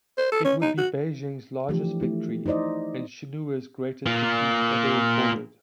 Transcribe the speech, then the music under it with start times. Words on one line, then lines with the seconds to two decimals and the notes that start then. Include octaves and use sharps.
It would be Beijing's largest victory and Shenhua's greatest defeat ever recorded.
0.18 C5
0.32 A4
0.45 C#4
0.62 D#4
0.78 F#4
1.69 E3 F3 A3 D4 G4
2.01 A3 E4
2.46 D#4 E4 C5 D5 D#5
4.06 A#3 F4